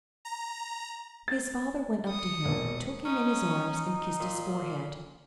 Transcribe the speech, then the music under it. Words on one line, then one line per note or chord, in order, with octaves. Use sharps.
His father went up to him, took him in his arms, and kissed his forehead.
A#5
A6
D#6 C#7
E1 A#1 A#3 D4
C#4 D#4
A#2